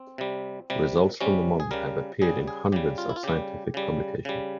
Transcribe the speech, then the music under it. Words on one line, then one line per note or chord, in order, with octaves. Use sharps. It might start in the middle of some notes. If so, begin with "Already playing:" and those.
Results from the model have appeared in hundreds of scientific publications.
Already playing: C4
C3 G3
C3 G3
C3 G3 C#4
G#4
C#3 G3 A#4
C#3 G3 G#4
G#4
C#3 G3 G4
F4
E4
F4
C#3 G3 G4
C#3 G3
C#3 G3